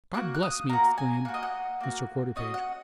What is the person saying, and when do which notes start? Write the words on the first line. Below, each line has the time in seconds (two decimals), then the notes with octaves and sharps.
"God bless me!" exclaimed Mr. Quarterpage.
0.14 A#3 F#4 F#6
0.34 F#6
0.43 D#6
0.69 A#3 F#4 A#5
0.98 G#5
1.25 A#3 F#5
1.29 F#4
1.34 D#5
1.43 F#5
1.80 A#3 F#4
2.36 C#4 F#4 D#5
2.54 F#5